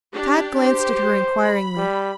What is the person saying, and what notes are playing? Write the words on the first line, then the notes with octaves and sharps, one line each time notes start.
Tad glanced at her inquiringly.
D4 G4
G4 C5
B5
G3